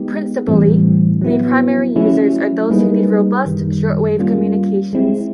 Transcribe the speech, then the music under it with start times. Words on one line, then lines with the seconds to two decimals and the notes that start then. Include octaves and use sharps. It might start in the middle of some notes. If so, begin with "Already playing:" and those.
Principally, the primary users are those who need robust shortwave communications.
Already playing: G#3 B3 D#4 G4
0.47 A2 E3 G3 C4
1.21 F#3 B3 E4
1.96 F#3 A3 C#4 E4
2.70 G3 A#3 D#4 G#4 B4
3.44 F#2 D#3 G3
4.18 G3 A#3 C#4 F4
4.93 G#3 C4 E4